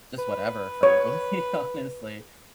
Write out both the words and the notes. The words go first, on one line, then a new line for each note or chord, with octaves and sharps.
just whatever, frankly, honestly.
B4
C#5